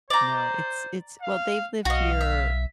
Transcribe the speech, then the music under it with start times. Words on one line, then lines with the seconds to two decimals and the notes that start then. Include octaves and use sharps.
No, it's it's Well, they've lived here,
0.10 C5 D5 A#5
1.22 F5
1.85 B1 F#4 D#5 F5
2.21 E5